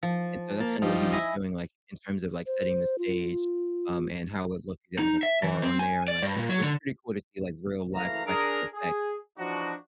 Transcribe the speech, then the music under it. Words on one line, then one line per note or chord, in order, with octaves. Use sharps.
and so that's kinda what he was doing, like, in terms of, like, setting the stage, um, and how it was looking, he had like a car on there and, like, it was it was pretty cool to see, like, real live practical effects,
F3
A#3 A5
F3 G3 D#4
E4 D#5 G#5
C5
F4
D#4
E5
E3
C4
G#5
D5
G2
A#2
F#3
D3
F#1 E3 A3 F5 A#5
D4 G#4 A#4
G#4
E3 F3 D4 D#4 F#4